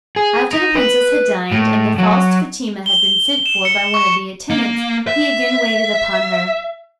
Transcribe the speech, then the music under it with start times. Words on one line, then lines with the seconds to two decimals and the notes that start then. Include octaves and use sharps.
After the princess had dined, and the false Fatima had been sent for by one of the attendants, he again waited upon her.
0.16 G#4
0.53 D#4
0.75 B4
1.52 A2
1.98 F#3
2.86 G7
3.46 E7
3.65 C#7
3.94 C#6
4.50 A#3
5.07 E5